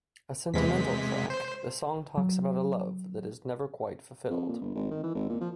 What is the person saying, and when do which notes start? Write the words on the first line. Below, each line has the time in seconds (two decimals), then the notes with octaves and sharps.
A sentimental track, the song talks about a love that is never quite fulfilled.
0.54 E2 C3 E3 G#3 B6
1.30 C5
2.17 F#3
4.30 F2
4.49 A#2
4.61 G1
4.75 G#1
4.91 D#3
5.03 E3
5.15 G#1
5.29 A#2
5.41 F3